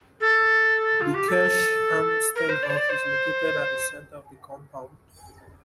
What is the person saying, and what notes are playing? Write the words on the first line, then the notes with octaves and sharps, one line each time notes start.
The Kirche am Steinhof is located at the center of the compound.
A4
F4
G4
A4
A#4
C5
D5
C5
D5
C5